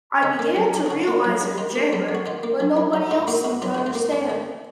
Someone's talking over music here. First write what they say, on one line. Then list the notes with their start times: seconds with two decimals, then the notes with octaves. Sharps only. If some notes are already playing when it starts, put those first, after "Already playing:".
I began to realize it in January, but nobody else seemed to understand.
0.23 C#3 D#4
0.39 A#3
0.56 F#3
0.74 F#2
0.86 G#4
0.90 C#3 F#4
1.08 A#3
1.24 F#3
1.41 F#2
1.58 D#3 F4
1.76 A#3
1.93 F#3
2.09 F#2
2.15 F#4
2.26 D#3 F4
2.43 A#3
2.60 F#3
2.77 F#2
2.93 F#3 F#4
3.11 G#2 F4
3.28 A#3 F#4
3.44 G#2 F#4
3.62 F#3 F4
3.75 G#2 F#4
3.86 F4
3.95 A#3
4.13 G#2
4.30 D#3